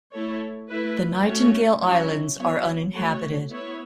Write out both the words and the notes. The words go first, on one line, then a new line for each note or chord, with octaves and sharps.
The Nightingale Islands are uninhabited.
A3 E4 A4 C#5
A3 E4 B4
A3 C#4 F#4 C#5
F#3 C#4 E4 C#5
F#3 B3 E4 C#5
A3 F#4 A4 C#5
B3 E4 C#5